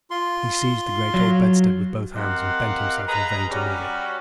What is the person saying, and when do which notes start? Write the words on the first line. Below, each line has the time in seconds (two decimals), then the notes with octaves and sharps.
He seized the great old bedstead with both hands, and bent himself in vain to move it.
0.11 F4 C6
1.14 F#3
2.15 C4 G4 A#4 D#5 F5 F#5
3.07 G#4 B4 D#5 A#5
3.50 G3 C#4 F#4